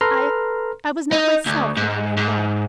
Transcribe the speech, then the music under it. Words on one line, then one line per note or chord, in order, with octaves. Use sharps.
I--I was not myself when I ran away.
A4 B4 A#5 C6 F6
D#4
D2
G#2
G#2